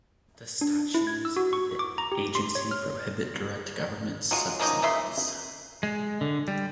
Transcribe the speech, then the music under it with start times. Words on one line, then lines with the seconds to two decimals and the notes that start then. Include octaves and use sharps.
The statutes of the agency prohibit direct government subsidies.
0.61 D4
0.94 E4
1.07 G#6
1.25 E6
1.37 F#4
1.53 C#6
1.79 D6
1.98 A#5
2.12 G4
2.35 C6
2.55 C#5
2.71 F6
4.31 F#3 G#3 F4 F#4
4.60 F3 A#3 C#4 D#4
4.82 C#3 A#3 E5 C6
5.83 G#3
6.21 D3
6.48 G3